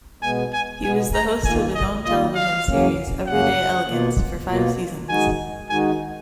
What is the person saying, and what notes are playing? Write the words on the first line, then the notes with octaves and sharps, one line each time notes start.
He was the host of his own television series "Everyday Elegance" for five seasons.
B2 G#3 B3 G#5
G#5
B2 G#3 B3 G#5
A#5
D#3 A#3 F4 G#5
D#5
D#3 A#3 F4 D#5
F5
F#2 C#3 F#3 A#3 C#4
F#2 C#3 F#3 A#3 C#4 F#5
B2 A#3 F4
B2 A#3 F4
D#3 G#3 D#4 F#4 G#5
D#3 G#3 D#4 F#4 G#5